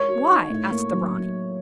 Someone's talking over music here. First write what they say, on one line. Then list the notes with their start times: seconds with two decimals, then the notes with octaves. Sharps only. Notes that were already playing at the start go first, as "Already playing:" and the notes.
'Why?' asked the ranee.
Already playing: G#3 A#4 C#5
0.08 F#4
0.29 D#4
0.50 A2
0.71 A#3
0.93 F#3